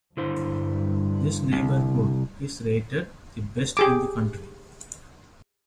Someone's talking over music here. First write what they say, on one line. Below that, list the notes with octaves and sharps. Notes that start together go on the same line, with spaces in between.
This neighbourhood is rated the best in the country.
G2 D3 E4 C5
C2
G4 G#4 D6